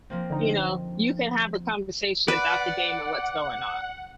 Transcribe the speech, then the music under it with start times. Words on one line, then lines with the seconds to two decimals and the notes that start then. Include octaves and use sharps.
you know, you can have a conversation about the game and what's going on.
0.10 F3 A#3 C4
0.30 D3 D#4
2.28 B4 D5 F#5